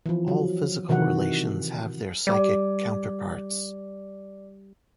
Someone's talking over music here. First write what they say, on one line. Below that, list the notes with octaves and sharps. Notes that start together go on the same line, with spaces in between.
All physical relations have their psychic counterparts.
E3 F3
F#3
C3 D#3 E3 F#4 F#5
G3 D5 D6